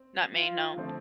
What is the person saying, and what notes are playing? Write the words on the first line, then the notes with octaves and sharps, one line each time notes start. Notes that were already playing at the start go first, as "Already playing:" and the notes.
Not me, no,
Already playing: C4
F4
D3 F3 A3 C4